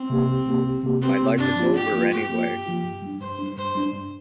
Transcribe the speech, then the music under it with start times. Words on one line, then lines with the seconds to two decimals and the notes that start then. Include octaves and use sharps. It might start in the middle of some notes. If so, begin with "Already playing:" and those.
My life is over anyway.
Already playing: C4
0.10 C3 A#3 G4
0.28 C2
0.46 C3 A#3 G4
0.65 C2
0.83 C3 A#3 G4
1.01 C2 C4
1.19 C3 A#3 G4
1.38 G2 D4
1.56 F3 A#3 F4
1.74 G2 G4
1.92 F3 A#3 F4
2.11 G2 G4
2.29 F3 A#3 F4
2.48 G2
2.66 F3 A#3 F4
2.84 G2
3.02 G3 D4
3.20 G2 C5
3.39 G3 D4
3.57 G2 C5
3.75 G3 D4
3.93 G2